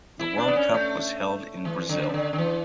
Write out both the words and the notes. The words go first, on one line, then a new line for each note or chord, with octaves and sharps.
The world cup was held in Brazil.
E4
D4
B3
C#4
A3
E3
D3
C#3
D3
D3
E3